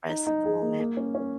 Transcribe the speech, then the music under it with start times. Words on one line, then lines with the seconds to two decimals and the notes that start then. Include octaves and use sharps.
as the moment.
0.09 D#4
0.27 D#4
0.45 G#4
0.62 A#3
0.80 A#3
0.97 C#4
1.15 C#4